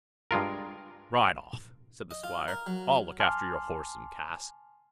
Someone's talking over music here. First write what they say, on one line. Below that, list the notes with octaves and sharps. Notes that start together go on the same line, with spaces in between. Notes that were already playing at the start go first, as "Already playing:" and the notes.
'Ride off', said the Squire; 'I'll look after your horse and cask.'
G2 G#3 F4 A#4
D#5
F4
A#4
F#3
G#5 A5 C6 D6 F6